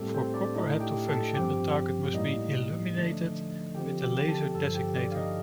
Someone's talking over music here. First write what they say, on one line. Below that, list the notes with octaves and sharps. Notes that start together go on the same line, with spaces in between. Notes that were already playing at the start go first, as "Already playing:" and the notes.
For Copperhead to function, the target must be illuminated with a laser designator.
Already playing: A2 G3 A3 C4 G4 A4
C4 C5
D4 D5
A2 A3 D4 D#4 D#5
G4 G5
A4 A5
G2 F3 C4 G4 G5
A2 G3 A#3 D#4 D#5
D3 F3 A3 D4
D3 F3 C4 G4 G5
G4 G5
A4 A5
G2 D3 F3 A4 A5
G4 G5
D4 D5
F5
D#4 D#5